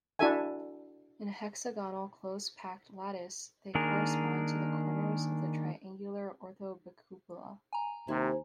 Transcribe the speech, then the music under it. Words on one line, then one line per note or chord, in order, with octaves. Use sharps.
In a hexagonal close-packed lattice they correspond to the corners of the triangular orthobicupola.
D4 E4 F#4 A4 E5 G#5
D#3 A#3 D4 G#4 A#4
G#5 A#5
D#2 C3 E4 C5